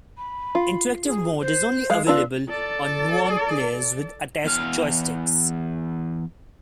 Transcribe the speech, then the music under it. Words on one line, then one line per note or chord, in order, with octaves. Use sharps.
Interactive mode is only available on Nuon players with attached joysticks.
B5
F4
G#4
C5
G#3 F5
B3 D4 F4 E6
A4 D5
E2 F5